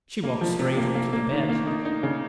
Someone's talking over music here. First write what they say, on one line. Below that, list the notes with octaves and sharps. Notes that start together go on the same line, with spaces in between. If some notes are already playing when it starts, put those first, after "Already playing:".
She walked straight up to the bed.
A#3
F3
C3
A#3
A#3
A#3
D#3
A#3
D#4
D#4
C#3